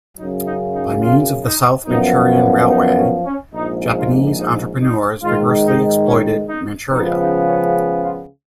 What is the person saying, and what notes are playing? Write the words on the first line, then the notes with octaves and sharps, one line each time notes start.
By means of the South Manchurian Railway, Japanese entrepreneurs vigorously exploited Manchuria.
F#2 C#3 F#3 D#4
D#4
D#4
F4
D#4
F#2 F3 B3 D#4
C#4
D#4
C#4
C#4
A#1 G#2 F3 D#4
F4
D#4
D#4
G#2 D#3 G#3 F4
D#4
C#4
D#4
C#2 C#3 F3 B3 D#4
D#4
C#4
F4